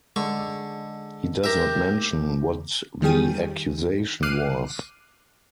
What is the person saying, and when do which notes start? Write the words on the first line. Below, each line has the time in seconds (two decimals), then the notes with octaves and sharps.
He does not mention what the accusation was.
0.16 D3 G#3 C#6
1.44 G4 A#4 E5
3.02 D#3 G3 G#4 G5 D#7
4.23 D6 F6 F#6 C7 D#7